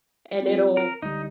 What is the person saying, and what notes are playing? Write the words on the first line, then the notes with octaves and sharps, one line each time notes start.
and it'll
C4 F4
A#4
C#2 D3 G3 D#4